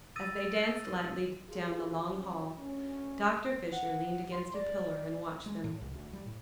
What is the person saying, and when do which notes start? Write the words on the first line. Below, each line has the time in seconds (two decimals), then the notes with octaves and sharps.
As they danced lightly down the long hall, Dr. Fisher leaned against a pillar, and watched them.
0.16 D#6 E6 A6 A#6 D#7
1.48 F4 G4 G#4
2.13 F3 F#3 C#4
2.58 D2 C#4
3.72 F#5
4.32 C6
4.54 D5
5.46 G#3
5.64 A2
5.81 C2
5.93 D2
6.13 G3
6.26 A2